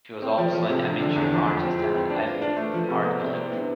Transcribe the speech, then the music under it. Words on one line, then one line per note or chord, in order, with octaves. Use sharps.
He was also an amateur artist and an avid art collector.
C4 C5
D5
F3 C5
F3 A4
C3 F4
F3 D4
D3 D4
E2 E4
F3
F2 F4
F4
C4
E4
G#3 F4
G#4
C4
B4
D4 C5
D5
F4 C5
D4 C5
B4
A3
C5
F3 B4
A4
C3
B3 D5
C5
C3
D5
B3 C5
E4
B3 D4